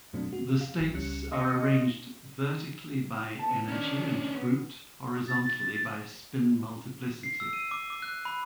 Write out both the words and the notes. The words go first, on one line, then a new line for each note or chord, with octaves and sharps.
The states are arranged vertically by energy and grouped horizontally by spin multiplicity.
F#2 B2 F#3 A3 C4 D4
F#4
F5
G1 G3
C#2 G3 C#4 F#6 C#7
D#5 F5 C6 D#6 A#6 C#7
B3 A5
D#3 C#4 D4
B3
A6
C7
E6
D#7
D6
D6
F#6
B5